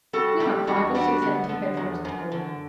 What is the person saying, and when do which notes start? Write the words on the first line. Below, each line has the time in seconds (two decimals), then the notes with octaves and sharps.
We have five or six empty bed-rooms at home.'
0.13 G3 F#4 A4
0.40 G3 E4 G4
0.67 E2 D4 F#4
0.95 G3 D4 F#4
1.22 D3 B3
1.49 D3
1.77 E2
2.05 F#2
2.32 D3